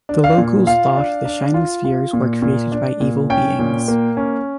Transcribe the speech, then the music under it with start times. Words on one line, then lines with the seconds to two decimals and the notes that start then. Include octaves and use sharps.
The locals thought the shining spheres were created by evil beings.
0.09 D4
0.24 F5
0.38 A#2
0.67 F4 F5
0.97 D4
1.25 D4
1.54 F4
1.85 F4
2.13 A#2
2.42 A#2
2.72 D4
3.01 A#2
3.30 C#4 G5
3.59 A#2
3.88 A#3
4.17 C#4